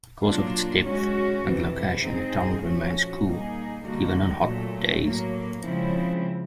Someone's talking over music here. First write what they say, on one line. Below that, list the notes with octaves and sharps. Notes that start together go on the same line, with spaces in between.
Because of its depth and location, the tunnel remains cool even on hot days.
F#3 A#3 D4 F4
G#3 C#4 F#4
F2 C3 E3
G#3 C4 D#4 G#4
F3 A3 C#4 F#4
G3 A#3 D#4 G#4
D3 G3 A#3 D#4 F#4
A#2 F#3 A3
A2 F#3 A#3
C#3 F3 G#3 C4 E4